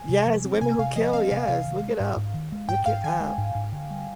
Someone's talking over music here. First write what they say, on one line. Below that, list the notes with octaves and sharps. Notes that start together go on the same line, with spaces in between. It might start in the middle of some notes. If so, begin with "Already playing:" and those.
Yes, Women Who Kill, yes, look it up. Look it up.
Already playing: G#5
C3
F3
C4
C3 G#5
C3 F5
F3 D#5
C4 F5
C3 F5
C3 F5
D#3
G#3
G#2
G#2
D#3
G#3
G#2 G5
G#2 F5
D#3 G#5
G#3
G#2
G#2
D3
G3